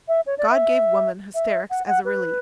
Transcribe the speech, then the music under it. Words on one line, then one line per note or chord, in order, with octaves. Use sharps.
God gave woman hysterics as a relief.
E5
C#5
D5
E5
E5
F#5
F#5
B4